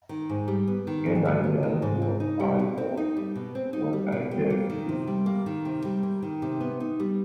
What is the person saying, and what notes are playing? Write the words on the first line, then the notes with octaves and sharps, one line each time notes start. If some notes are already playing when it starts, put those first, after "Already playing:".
Had I known what I ought, what I dared to do!
D#3
G#2
G3
B3
D#3
G#2
G3
B3
D#3
G#2
C4
D#4
G3
B2
C4
D#4
G3
B2
C4
D#4
G3
B2
G3
A#3
D#3
C3
G3
A#3
D#3
C3
G3
A#3
D#3
C3
B3
D#4
G3